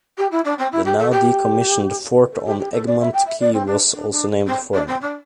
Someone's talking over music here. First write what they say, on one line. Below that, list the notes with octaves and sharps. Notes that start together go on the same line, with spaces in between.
The now decommissioned fort on Egmont Key was also named for him.
G4
E4
D4
C4
E4
G4
A4
G4
A4
G4
G4
A4
D5
E5
G5
E5
D5
C4
D4
D4
D4
C4
D4
C4
D4